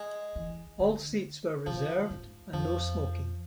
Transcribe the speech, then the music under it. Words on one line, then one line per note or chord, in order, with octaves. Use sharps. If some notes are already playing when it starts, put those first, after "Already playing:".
All seats were reserved and no-smoking.
Already playing: G#3
E3
D3
D3 F3
G#2
F2 F3